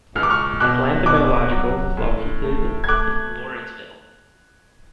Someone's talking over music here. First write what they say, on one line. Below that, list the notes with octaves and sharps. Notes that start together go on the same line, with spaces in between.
Atlanta Biologicals is located in Lawrenceville.
C#2 F6
D6
C#6 F6
B2 D6 F#6
B2 D6 F#6
F#3
A2
A3
G#6
A3 D6 F#6